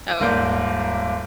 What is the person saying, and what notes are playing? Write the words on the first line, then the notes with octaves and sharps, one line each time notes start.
Oh, yeah.
D#1 G#2 A#3 A#4 D5 G6